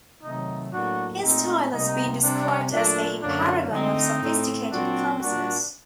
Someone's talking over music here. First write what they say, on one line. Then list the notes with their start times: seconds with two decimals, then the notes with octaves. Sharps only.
His style has been described as "a paragon of sophisticated clumsiness".
0.22 C3 D#3 F#3 A3 D#4
0.72 A2 F#3 A#3 D4 F#4
1.22 A#2 A3 C4 D#4
1.72 C3 G3 A#3 D#4
2.22 C3 G3 C4 D4
2.72 A#2 F#3 A3 D4
3.22 F#2 D3 F#3 A#3 D4
3.71 D3 A3 C4 D#4
4.22 A2 A3 C4
4.71 A#2 F#3 C4 D4 F#4
5.21 A#2 G3 A#3 D4 F#4